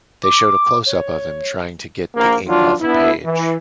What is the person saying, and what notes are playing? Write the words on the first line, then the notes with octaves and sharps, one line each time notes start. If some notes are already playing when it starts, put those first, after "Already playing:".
They showed a closeup of him trying to get the ink off a page.
D6
C#5
A#1 A#3
D#3 F3 F#3 D4 F4
B3 D4 E4
E3